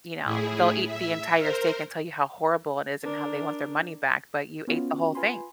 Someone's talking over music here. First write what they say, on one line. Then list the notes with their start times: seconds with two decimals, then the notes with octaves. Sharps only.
you know, they'll eat the entire steak and tell you how horrible it is and how they want their money back, but you ate the whole thing.
0.25 A2 E4 G#4
0.86 E5
1.37 A#4 C5
3.03 D4 A#4
4.67 B3 C#4 F4 F#4
5.15 F4 B4 G#5 B5 C6